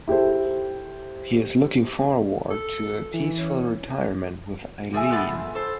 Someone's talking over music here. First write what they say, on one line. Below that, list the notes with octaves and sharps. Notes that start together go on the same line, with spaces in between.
He is looking forward to a peaceful retirement with Eileen.
E4 G4 A4 C5
A4
E3
C#4
C3 F3 G#4 C#5 E5 G#5
G#2 G3 A3 B3 F4 A4
A4 C5